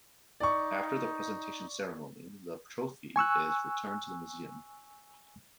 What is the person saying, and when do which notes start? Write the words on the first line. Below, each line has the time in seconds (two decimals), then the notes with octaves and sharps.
After the presentation ceremony, the trophy is returned to the museum.
0.40 D#4 D5 C#6
3.16 G#5 C#6 E6 F#6